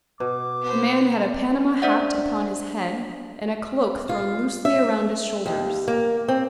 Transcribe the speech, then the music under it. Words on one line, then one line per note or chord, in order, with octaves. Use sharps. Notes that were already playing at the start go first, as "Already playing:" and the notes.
The man had a Panama hat upon his head, and a cloak thrown loosely around his shoulders.
B2 D6
B3 C5
D4 C5 D5 E5 F#5
F4
E5
D#2
A#3
C4